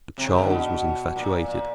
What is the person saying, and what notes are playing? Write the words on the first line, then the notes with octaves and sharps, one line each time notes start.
But Charles was infatuated.
C3
C#3
C#3
D3
B2
A#2
A#2